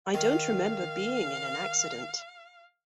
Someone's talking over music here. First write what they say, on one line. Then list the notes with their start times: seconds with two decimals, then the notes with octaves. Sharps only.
I don't remember being in an accident.
0.14 D#3 F5